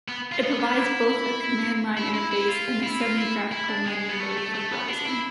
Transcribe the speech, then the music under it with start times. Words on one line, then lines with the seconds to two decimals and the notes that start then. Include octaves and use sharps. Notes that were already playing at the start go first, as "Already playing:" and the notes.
It provides both a command-line interface and a semi-graphical menu mode for browsing.
0.08 B3
0.32 F4
0.43 B3
0.60 B3
0.78 E4
1.97 E4
2.14 E4
2.31 E4
2.48 F4
2.83 E4
3.00 F4
3.17 E4
3.52 E4
3.68 D4
3.86 G#3
4.09 B3
4.20 A3
4.37 A3
4.54 A3
4.71 B3
4.88 D4
5.06 E4